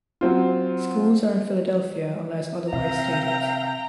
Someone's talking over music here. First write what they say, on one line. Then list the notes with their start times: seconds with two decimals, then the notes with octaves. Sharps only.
Schools are in Philadelphia unless otherwise stated.
0.21 F#3 C4 F4
2.73 C3 E5 F5 G5 A#5